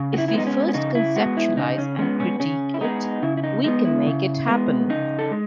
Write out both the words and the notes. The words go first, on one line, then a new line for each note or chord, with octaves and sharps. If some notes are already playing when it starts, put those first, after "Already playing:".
If we first conceptualize and critique it, we can make it happen.
Already playing: C#3
F#4
E4
E4
G#3 B3 D#4
C#4
C#4
C#3 D#4
E4
G#3 B3 F#4
E4
C#3 D#4
C#4
G#3 B3 C#4
C#4
C#3 C#4
E4
G#3 B3 D#4
C#3 E4
E4
D#4
G#3 B3 D#4
E4
C#3
G#3 B3
C#3 D#4
A4
G#3